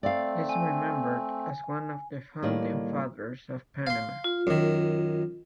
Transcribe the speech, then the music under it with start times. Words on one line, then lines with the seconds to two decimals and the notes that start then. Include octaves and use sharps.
He is remembered as one of the founding fathers of Panama.
0.03 A3 C4 D5 F5
0.49 G#5
2.43 A2 D#3 G3 A#3 D5
3.87 F5 C6
4.24 F4
4.47 F#2 D#3